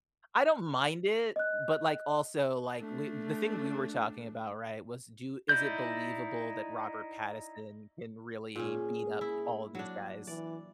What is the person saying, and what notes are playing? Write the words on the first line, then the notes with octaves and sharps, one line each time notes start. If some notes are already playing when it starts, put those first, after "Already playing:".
I don't mind it, but, like, also, like, we the thing we were talking about, right, was do is it believable that Robert Pattinson can really beat up all these guys?
D#5 F#6
A3 D4
D#4 E4 D5 G6
A#2 C#4 G#4
E4
F#3 D4
E3 D5